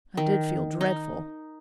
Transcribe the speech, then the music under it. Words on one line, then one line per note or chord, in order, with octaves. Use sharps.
I did feel dreadful.
D#3
D#4